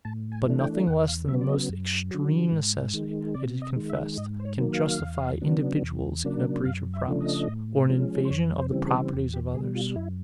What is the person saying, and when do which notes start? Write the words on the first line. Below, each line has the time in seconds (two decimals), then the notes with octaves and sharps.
But nothing less than the most extreme necessity, it is confessed, can justify individuals in a breach of promise, or an invasion of the properties of others.
0.05 A2 A5
0.32 G#5
0.46 E3 A3 D4
0.60 G5
0.87 E2 F#5
1.08 F5
1.28 C#3 F#3 B3 E5
1.41 D5
1.49 D#5
1.69 F#2
2.11 D3 F#3
2.52 G#2
2.94 D#3 G#3
3.34 C3 D5
3.62 D#5
3.76 D#3 G#3
3.90 E5
4.18 G#2 D#5
4.39 C5
4.45 C#5
4.58 D#3 F#3 A#3
4.73 F5
5.00 E2
5.41 C#3 F#3 B3 D4
5.82 E2
6.24 C#3 F#3 A#3 D4
6.65 F#2 F5
6.93 E5
7.07 C#3 F3 A3 D4
7.21 D#5
7.48 A2
7.89 F3 G#3 C#4
8.25 C5
8.30 F2 C#5
8.58 C5
8.72 C#3 E3 G3 C4
8.86 G#4
9.13 E2 G4
9.34 G4
9.54 B2 G3 G#4
9.75 F4
9.96 F#2 E4